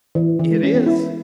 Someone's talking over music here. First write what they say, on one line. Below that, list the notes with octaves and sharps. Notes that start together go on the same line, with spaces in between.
"It is."
E3
E3
G#3
C#4
B3
E4